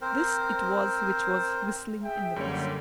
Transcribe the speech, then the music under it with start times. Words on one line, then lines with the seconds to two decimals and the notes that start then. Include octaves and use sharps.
This it was which was whistling in the mist.
0.01 C4 A#4 C5
2.02 G#4 E5 G5
2.36 F#2 D3 G3 A#3 C#5